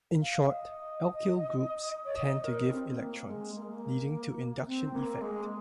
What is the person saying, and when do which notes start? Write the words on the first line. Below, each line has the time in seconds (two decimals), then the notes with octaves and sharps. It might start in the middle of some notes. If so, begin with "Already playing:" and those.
In short, alkyl groups tend to give electrons, leading to induction effect.
0.21 F5
0.49 D#5
2.04 C#5
2.15 D#5
2.44 A#4
2.71 C4
2.99 A#3
3.26 G#3
3.55 A#3
3.62 G#3
3.70 A#3
4.66 C4
4.94 A#3
5.21 G#3